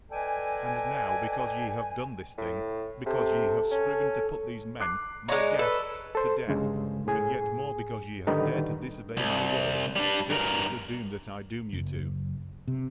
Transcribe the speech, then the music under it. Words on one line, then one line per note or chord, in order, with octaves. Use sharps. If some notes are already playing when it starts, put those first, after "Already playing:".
And now, because ye have done this thing, because ye have striven to put these men, my guests, to death, and yet more because ye have dared to disobey my word, this is the doom that I doom you to.
A4 B4 D5 D#5 G5 G#5
A2
C3 A4
C#4
D6 F#6 C7
G#3 D#4 C#5 D5 D6
A4 B4
A4 C5
D2 G2 C#3 G#3
A2 G#4 G#5
A2 D3 D#3 G3 D#4 B4
C2
G3 D4
G2 A#4
F#1
C3